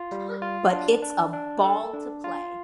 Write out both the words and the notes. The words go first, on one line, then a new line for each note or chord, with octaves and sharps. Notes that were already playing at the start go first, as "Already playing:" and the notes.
But it's a ball to play.
Already playing: F4
G3
F4
D4
D4
D4
A4
D4
F4